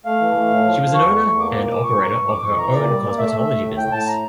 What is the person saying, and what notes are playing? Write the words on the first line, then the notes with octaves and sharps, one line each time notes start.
She was an owner and operator of her own cosmetology business.
A3 F5
E3
A3
A2
F3
F3
E2 C#6
A3
E2
A#3 D6
A#2 D6
A#2 D6
G2 C#6
G2 A#5
C#6
G2
F2 D6
F2 C#6
E3 A#5
A#2 D5
G3
A#3
A3 E5
A3
E5
A3
A2
A2 G5
A2 A5
A#5